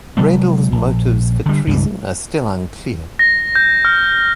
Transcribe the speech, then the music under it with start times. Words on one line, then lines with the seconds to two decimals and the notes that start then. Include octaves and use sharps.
Redl's motives for treason are still unclear.
0.17 C3 F#3 G#3 B3
0.72 A#1
1.46 D3 G3
1.67 C#2 G2 E3
3.19 A#6
3.55 G6
3.85 F6